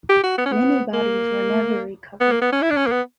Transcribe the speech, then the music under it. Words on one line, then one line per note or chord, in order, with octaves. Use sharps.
Many bodies were never recovered.
G4
F#4
B3
C#4
B3
A#3
B3
A#3
B3
C#4
E4
D4
C#4
A#3
B3